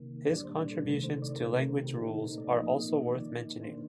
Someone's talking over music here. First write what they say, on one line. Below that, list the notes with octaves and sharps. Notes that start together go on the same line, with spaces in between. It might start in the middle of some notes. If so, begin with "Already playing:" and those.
His contributions to language rules are also worth mentioning.
Already playing: C3 D#3 A#3
A#2 G3 D4 D5
C5
D5
A4
C3 D#3 A3 A#4
C5
D5
A#4
C3 D#3 A3 C4 C5
A#4
G4
A#2 A3 C4 D#4 G4
A4
A#4
D5
A#2 F3 A#3 D#4 D#5
D#3 A#3 D#4 D5
D#3 A#3 D4 C5